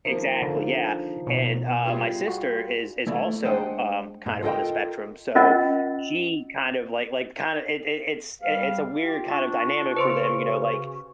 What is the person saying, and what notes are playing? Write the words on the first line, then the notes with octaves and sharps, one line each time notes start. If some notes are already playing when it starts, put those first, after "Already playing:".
Exactly, yeah, and, uh, my sister is is also um kind of on the spectrum, so she kind of, like like, kind of it it it's i it's a weird kind of dynamic for them, you know, like,
D#3 F3 A#3
D3
B2
B3
G3 F4 G#4
F#4
A3 E4 D5
G#3 D4 C5 D#5 F#5 G5
G#2
F4 A4 A#4 D#5 F5 G5
C#4 F4 A#4 D#5 F#5
G3 F5
F4 G4
D4 C#6
C#3 B4 C5 C6
F#4